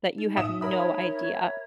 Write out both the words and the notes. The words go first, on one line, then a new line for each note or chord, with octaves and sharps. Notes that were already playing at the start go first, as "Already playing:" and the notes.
that you have no idea
D#4
A2 E5 D#6 E7
A#4 C#5 E5 B5 D#6